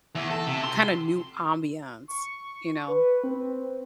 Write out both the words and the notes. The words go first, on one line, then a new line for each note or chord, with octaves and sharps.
kind of new ambiance, you know.
E2
A4
C3
C6
C#6
B4
C4